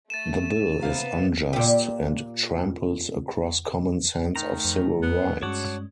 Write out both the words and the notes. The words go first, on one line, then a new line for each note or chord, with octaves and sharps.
The Bill is unjust and tramples across common sense and civil rights.
A3 A6 D#7 E7
C3 B3 F5 A#5
A#2 G4
D#3 A3 A#5
F2
B3
G2 G#3 C#4 F#4 C#5 A5 D6